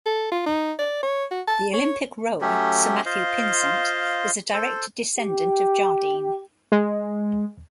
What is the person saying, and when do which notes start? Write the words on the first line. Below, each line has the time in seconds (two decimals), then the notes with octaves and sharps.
The Olympic rower Sir Matthew Pinsent is a direct descendant of Jardine.
0.06 A4
0.32 F4
0.46 D#4
0.79 D5
1.03 C#5
1.31 F#4
1.48 A5
1.74 C#5
2.41 F#3 A3 C#4 G4
3.06 F4 C5 D#5 F5
4.53 A4 C5
5.19 G4
6.72 G#3